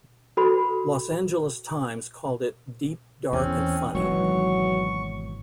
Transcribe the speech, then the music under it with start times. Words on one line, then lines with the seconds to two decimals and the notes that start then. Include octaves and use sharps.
"Los Angeles Times" called it "deep, dark and funny".
0.37 F#4 A4 B4 B5
3.33 E2 C4 C#4
3.95 G#1 B2 E3 F#3 C#6